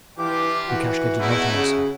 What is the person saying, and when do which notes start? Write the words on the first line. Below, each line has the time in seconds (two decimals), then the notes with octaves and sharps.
Lukashka did not answer.
0.18 E3 D4 F4 G4 D6
0.68 E3 F#4
1.20 E2 A3 D#4 E4
1.51 C#3